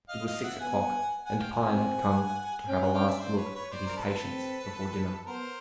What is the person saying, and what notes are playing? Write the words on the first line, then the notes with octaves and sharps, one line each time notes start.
It was six o'clock, and Pine had come to have a last look at his patients before dinner.
D#5 F5
D#5 F5
E5 F#5
B3 F#5 G#5
F#5 G#5
F5 G5
F#5 G#5
C4
C#4 F5 G5
F#5 G#5
F5 G5
D5 E5
C5 D5
B4 C#5
B4 C#5
C5 D5
A#4
A4 B4
C4
B3 A#4 C5